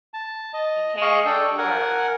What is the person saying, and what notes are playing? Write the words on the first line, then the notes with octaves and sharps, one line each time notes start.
in cash or
A5
D#5
G#4 D#5 F5 C#6
D4 A4 G5
A#4 F#5 G#5